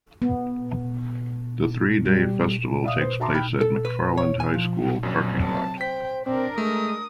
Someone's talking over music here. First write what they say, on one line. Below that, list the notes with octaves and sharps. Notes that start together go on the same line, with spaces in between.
The three-day festival takes place at McFarland High School parking lot.
B3
G3
D5 E5 F5 D#6
B4 C5
F#4 E5 A5 A#5 C6 D6
G5 B5 F6 F#6
A4
B4
C#5
G#5
F3
A#1 F#2 C3 F#3
A5
C5 G5 B6
C4 D4 A#4 D5
G#3 A3 D#6